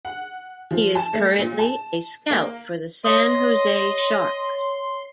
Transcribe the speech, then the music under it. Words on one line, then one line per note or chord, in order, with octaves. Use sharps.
He is currently a scout for the San Jose Sharks.
F#5
F3
A5
A3
A#2
A5
A#3
C#5 D#5 C6 D#6